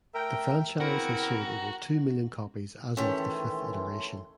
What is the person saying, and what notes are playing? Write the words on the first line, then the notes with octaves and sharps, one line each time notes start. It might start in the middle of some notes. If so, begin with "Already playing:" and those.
The franchise has sold over two million copies as of the fifth iteration.
A3 A#4 E5 G5
C#3 B3 C4 E4 F#4 A#4 A#5
D#3 E3 A3 C#4 G4 C6